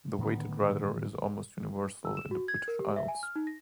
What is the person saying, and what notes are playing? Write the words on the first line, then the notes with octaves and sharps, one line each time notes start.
The weighted rudder is almost universal in the British Isles.
A2 D3 D#3 B3
E6
E7
F#4
G#6
A#4
G4
E5
G#5
F6
D#4
A#6